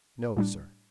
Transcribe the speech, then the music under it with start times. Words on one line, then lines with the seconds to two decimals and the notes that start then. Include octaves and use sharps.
"No, sir."
0.37 A2 G3 D4